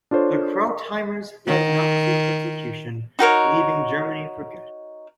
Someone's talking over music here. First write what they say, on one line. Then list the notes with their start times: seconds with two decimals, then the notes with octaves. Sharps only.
The Krautheimers fled Nazi persecution, leaving Germany for good.
0.11 D4 F4 A4 C5 C#5
1.47 D#3
3.19 D#4 F#4 A#4 C#5